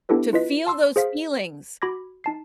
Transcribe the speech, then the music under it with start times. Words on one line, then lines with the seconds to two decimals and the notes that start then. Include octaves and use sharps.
to feel those feelings.
0.09 B3 D4 E4 G4 A4 B4
0.33 E4 F4 B4 D#5 B6
0.66 A5 C6 E6
0.96 G#4 C5 F5 B6
1.82 F#4 B5 D6 G#6 A#6
2.24 D#4 A5 C7